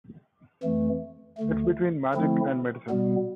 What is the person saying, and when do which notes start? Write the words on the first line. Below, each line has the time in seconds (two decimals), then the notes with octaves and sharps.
It's between magic and medicine.
0.63 F2 E3 A3
1.38 D2 D3 A3
2.14 D3 F3 A3 C4 E4
2.89 B2 G3 B3